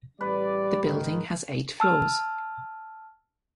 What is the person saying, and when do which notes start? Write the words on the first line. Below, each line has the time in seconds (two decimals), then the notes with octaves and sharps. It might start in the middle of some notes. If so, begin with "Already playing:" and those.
The building has eight floors.
0.21 A1 G3 B4 D5
0.83 G#2 D#3
1.80 A5 E6 F6